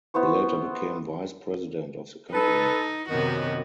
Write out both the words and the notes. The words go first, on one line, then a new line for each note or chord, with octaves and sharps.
He later became Vice President of the company.
B3 E4 C5 C#6
D#4 A4 B4
F#2 C3 D#3 B3 F#4